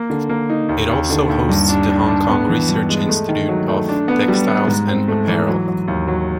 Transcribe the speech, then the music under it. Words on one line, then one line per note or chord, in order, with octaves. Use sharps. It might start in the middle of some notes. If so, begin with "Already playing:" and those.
It also hosts The Hong Kong Research Institute of Textiles and Apparel.
Already playing: A#3
D3
A#3
D#4
D#2
D#2
D3
D#2
G2
D4
D4
D4
B3
E3
G2
G#3
A3
D#3
F#3
A3
D4
B3
G3
B3
G#2
C4
A3
E3
F#3
F#3
D#2
F#3